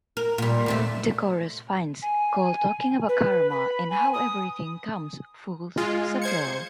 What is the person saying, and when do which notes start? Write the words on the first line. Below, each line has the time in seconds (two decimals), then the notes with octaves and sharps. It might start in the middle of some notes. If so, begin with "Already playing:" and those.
The chorus finds Cole talking about karma and how "everything comes full circle".
0.17 A#4
0.38 A#2 G3
0.66 D#2 C3 A3
2.02 G#5
3.09 B4
3.50 B5
3.90 G#5
4.14 D#6
5.77 G#3 F4
6.22 C5 G#6 C#7